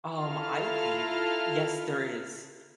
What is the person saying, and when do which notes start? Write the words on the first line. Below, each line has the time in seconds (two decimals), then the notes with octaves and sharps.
Um, I think yes, there is.
0.17 E4 F4 A4 F5 A#5 F6